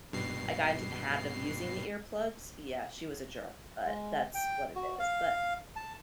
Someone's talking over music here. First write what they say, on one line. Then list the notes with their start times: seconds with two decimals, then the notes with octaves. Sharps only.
I got into the habit of using the earplugs. Yeah. She was a jerk, but that's what it is. But
0.13 G2 B2 C7
3.85 G#3
4.34 G5
4.76 F#4
4.99 F5
5.76 A5